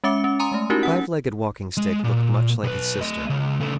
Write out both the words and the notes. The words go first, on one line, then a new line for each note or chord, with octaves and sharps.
The Five-Legged Walking-Stick looked much like his sister.
G#3 C#4 E5 D6 C#7
C#4
G#5 A#5 C6 D#6
G#3 A3
C#4 D#4 E4 F#4 G4 A#4
C#4 F#5
G#3
A#2
B1 B4
A3 D#5
C#2
C#3 A3